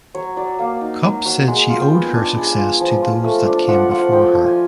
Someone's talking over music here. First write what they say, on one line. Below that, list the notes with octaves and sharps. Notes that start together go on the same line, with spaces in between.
Cupp said she owed her success to those that came before her.
F#3 C#5
F#3 D5
A#3 F5
D#4
F#3
F#3
G#3 F#5
F4
G5
B3
D4 G#5
G#3
G#5
F4
F3
F4
A3
D4
F3 F#5
F4 F#5
F3 G5
F3
G#5